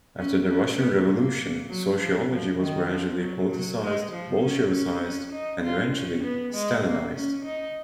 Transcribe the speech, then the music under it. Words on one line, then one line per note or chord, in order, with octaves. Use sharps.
After the Russian Revolution, sociology was gradually "politicized, Bolshevisized and eventually, Stalinized".
C#4
C#4
B3
A#3
F#3
F3
F3
D#3
F3
F#3
F#3
G#3
F3
C#4
C#4
C#4
D#4
F4
C#4
B3
G#3
A#3
C#4
D#4